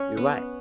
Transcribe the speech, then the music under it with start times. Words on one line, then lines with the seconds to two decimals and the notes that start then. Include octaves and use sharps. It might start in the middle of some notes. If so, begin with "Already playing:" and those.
You're right.
Already playing: C#4
0.17 B3